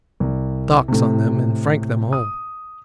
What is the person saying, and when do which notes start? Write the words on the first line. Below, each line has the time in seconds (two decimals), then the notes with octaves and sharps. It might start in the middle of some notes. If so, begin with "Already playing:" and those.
Docs' on them and frank them home.
0.20 C2
0.88 A2 C3
2.13 D#6